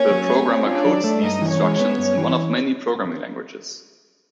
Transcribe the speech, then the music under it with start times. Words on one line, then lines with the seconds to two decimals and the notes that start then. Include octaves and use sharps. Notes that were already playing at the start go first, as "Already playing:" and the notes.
The programmer codes these instructions in one of many programming languages.
Already playing: A#3 C#4 C#5
0.11 F#3
0.29 A3
0.49 C4
0.66 D4 F4 D5
0.85 F#3
1.04 A3
1.23 G2 D#4 D#5
1.42 E3
1.51 C#4 C#5
1.60 G#3
1.80 B3
1.99 G2
2.18 E3